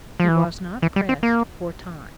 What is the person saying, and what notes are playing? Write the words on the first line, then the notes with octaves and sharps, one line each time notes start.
He was not pressed for time.
F3
E3
E3
G3
C4
A#3